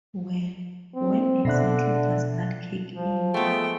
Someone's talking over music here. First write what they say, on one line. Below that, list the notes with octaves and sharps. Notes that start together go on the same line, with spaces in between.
Well, when exactly does that kick in?
C4
B2 D3 E5 F#6
F3
G#3 A3 B3 G5